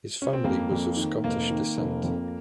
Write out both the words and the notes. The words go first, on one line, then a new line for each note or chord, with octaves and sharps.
His family was of Scottish descent.
C#4
C4
F2 A#3
F2
D#3
F1 A#3
D#3
F1
F2